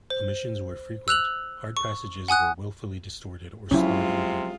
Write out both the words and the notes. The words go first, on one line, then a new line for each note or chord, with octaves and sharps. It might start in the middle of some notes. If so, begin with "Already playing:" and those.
Omissions were frequent; hard passages were willfully distorted or slurred over.
C5
E6 F#6 F7 F#7
C#6
F#5 G#5 D#6 F#6
C3 F3 F#3 G#3 C#4 E4 F4